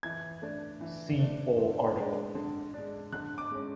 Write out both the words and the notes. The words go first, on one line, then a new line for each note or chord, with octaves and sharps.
See full article.
E3 G#6
A3 D4
E3
A3 D4
D3
G#3 D4
D3
G#3 D4
D3 F#6
D6
G#3 C#4